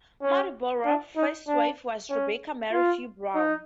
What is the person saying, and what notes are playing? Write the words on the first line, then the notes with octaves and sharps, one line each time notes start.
Marlborough's first wife was Rebecca Mary Few Brown.
C#4
D4
D#4
D4
C#4
F4
D#4